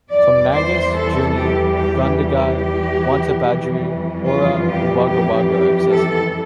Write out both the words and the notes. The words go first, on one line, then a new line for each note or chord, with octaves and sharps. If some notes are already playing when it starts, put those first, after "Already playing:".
From Nangus, Junee, Gundagai, Wantabadgery, Oura and Wagga Wagga are accessible.
E2 E3 G3 D5
C5
A4
G4
G4
G4
F2 E3 G3
F4
G4
G4
G4
A4